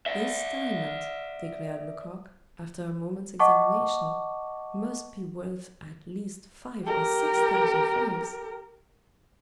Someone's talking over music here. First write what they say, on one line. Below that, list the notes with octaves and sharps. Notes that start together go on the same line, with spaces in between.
"This diamond," declared Lecoq, after a moment's examination, "must be worth at least five or six thousand francs."
D5 E5
D#5 F#5 A5 C#6 D6
G4 A#4